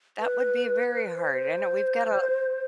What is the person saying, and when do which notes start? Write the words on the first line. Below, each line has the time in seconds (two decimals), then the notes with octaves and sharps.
that would be very hard. I know we've gotta
0.19 B4
1.15 C5